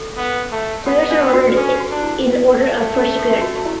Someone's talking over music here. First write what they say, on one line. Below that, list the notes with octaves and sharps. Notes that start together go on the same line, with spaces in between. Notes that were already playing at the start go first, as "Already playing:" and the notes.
Players are ordered in order of first appearance.
Already playing: A4
B3
A3
B3 G4
D4
F#4
B4
C#4 A4
G4
F#4
D4
E4
A3
C#4
A4
G4
F#4
E4